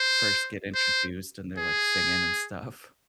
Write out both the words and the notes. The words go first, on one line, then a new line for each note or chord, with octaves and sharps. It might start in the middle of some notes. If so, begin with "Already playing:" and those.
first get introduced, and they're, like, singing and stuff.
Already playing: C5
C5
G#4